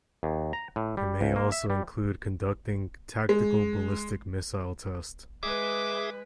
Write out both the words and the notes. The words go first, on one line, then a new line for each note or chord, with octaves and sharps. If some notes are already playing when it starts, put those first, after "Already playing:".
It may also include conducting tactical ballistic missile tests.
D#2
A#5
A2
G3
C#2
A#3
E5
G3
G#3
G#3 G#4 B4 E5 D6 D#6